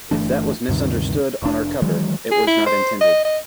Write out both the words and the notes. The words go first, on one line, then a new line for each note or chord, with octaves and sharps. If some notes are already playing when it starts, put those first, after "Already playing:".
If that was misunderstood on our cover it was not intended.
G1 E3 A3 D4
D2 G2 C3 D#3
F1 D4
D#3 E3 F#3 G#3
G#4
E4
C5
D#5
D#5